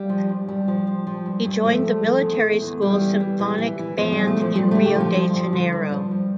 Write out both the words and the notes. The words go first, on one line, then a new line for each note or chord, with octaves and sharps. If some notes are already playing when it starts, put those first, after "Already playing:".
He joined the Military School Symphonic Band in Rio de Janeiro.
Already playing: G3
F3
G2
G2 G3
F3
F3
F3
G2
G2
F3 A3
G2
F3
E2
E2
E2
E2 G3
E3
E3
E3
E3
E3
E2 F3
G3
E2
A3
E2 F3
G2 G3
D3 A3
G4
F3
F4
G2
F3
D3
G2
F3
G2